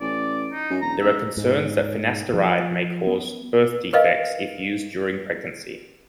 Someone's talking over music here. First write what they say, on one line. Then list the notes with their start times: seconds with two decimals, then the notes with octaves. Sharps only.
There are concerns that finasteride may cause birth defects if used during pregnancy.
0.01 A1 D5
0.52 D#4
0.70 F#2
0.82 E1 A#5
1.01 A1 E5
1.37 G#2
2.34 F3
3.07 B3
3.93 A#4 B4 D#5 F5